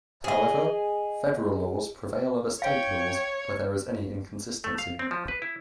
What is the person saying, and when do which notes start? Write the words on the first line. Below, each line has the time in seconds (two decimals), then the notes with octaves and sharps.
However, federal laws prevail over State laws where there is any inconsistency.
0.24 G#4 D#5
2.62 C#5 F5 G5
4.64 A3
4.78 F5
4.99 C4
5.11 F3
5.28 B4
5.42 E4